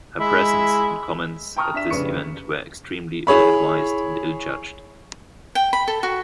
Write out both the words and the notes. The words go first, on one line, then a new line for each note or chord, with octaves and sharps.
Her presence and comments at this event were extremely ill-advised and ill-judged.
G#3 E4 E5
G5 A5 A#5 C#6 D#6 F6
D4 E5 B6 E7
F1 C#3 D4 B4 C#6 C#7
E4 G#4 C#5 B5
G5
B5
A4
F#4